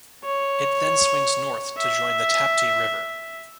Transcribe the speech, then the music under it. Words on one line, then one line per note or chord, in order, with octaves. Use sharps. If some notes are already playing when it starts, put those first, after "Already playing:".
It then swings north to join the Tapti River.
C#5
E5